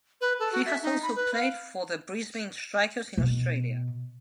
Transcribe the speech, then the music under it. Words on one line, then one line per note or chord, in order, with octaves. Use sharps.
He has also played for the Brisbane Strikers in Australia.
B4
A4
F#4
E5
D#4
B5
B4
F5
B2